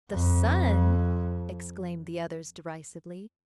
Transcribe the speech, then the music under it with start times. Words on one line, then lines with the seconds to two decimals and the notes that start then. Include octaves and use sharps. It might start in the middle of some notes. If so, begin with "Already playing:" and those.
"The sun!" exclaimed the others derisively.
0.10 F2